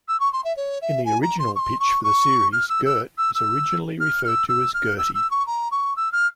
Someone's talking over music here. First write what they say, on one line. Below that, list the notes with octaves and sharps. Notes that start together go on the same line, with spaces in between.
In the original pitch for the series, Gert was originally referred to as Gertie.
E6
C#6
C6
E5
C#5
E5
G#5
A#5
C6
C#6
C6
C#6
C#6
F6
E6
E6
E6
E6
F6
F6
E6
E6
F6
E6
E6
C#6
A#5
C#6
E6
F6